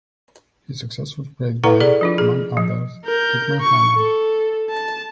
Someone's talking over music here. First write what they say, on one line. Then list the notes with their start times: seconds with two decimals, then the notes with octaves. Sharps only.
His success was praised by, among others, Dietmar Hamann.
1.64 E4 A4 B4 F#5 A#5
1.80 G#4 A4 D5
2.01 F3 D4 F4
2.18 G#4
2.57 F3
3.04 A#4 G6
3.61 C#6
3.97 A4
4.70 A5